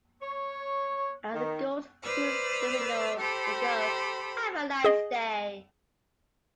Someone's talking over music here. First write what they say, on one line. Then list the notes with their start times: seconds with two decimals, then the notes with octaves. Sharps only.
As it goes through the windows it goes 'Have a nice day.
0.21 C#5
1.34 D#3
2.03 B4 C5 D5 E6 F6
3.18 G4 A4 C5 B5 C6
4.84 G#4 D#5